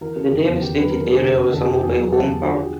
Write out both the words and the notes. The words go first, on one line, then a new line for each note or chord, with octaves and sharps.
The devastated area was a mobile home park.
E3 A#4
C#3 A4
F#1 G4
E2
D#2 G4
F#3 B4
D#2 A#4
A4
D3 G#4
F1 G4
C#3
F1 A4
G#4
F2
G4
E2 G#4
F#3
E2 A4
B2 G4
F3 F#4
G4
D3 G#4